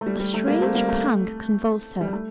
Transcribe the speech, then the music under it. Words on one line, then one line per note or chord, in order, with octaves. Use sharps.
A strange pang convulsed her.
A3
G3
G3
A3
G3 A#3
A3 C4
G3 A#3
A3
G3
A3